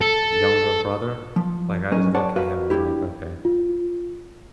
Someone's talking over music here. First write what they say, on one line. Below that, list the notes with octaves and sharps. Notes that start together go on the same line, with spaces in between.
younger brother. Like, I just look at how, like, okay.
A4
F3
F#3 C#4 A#4 D#5
A#4 C#5 D5 F#5 G5 A5
F#4 A#4 B4 E5 F5
G2 E3 G3 E4 G4
F4